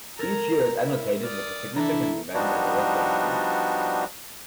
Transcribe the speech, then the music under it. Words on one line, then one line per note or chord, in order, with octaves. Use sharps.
Each year is annotated with a significant event as a reference point.
A4 A#4 A#5 G#6
E4
D5 D#6 F6
E3 D4 E4 A4 A#5
F3 G3 B3 D4 D#4 F#4